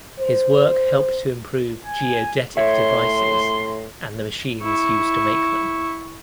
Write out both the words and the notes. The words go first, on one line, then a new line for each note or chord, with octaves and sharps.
His work helped to improve geodetic devices and the machines used to make them.
C5
G#5
A2 C#5 E5 C6
E4 C#6